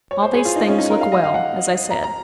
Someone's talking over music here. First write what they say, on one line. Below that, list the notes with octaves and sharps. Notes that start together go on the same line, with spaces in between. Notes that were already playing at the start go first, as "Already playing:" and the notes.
All these things look well, as I said.
C#5
C5
G#4
F4
D#4
C#4
D#4
A#4
F5
D#5
F5
F#5
A#5
A#5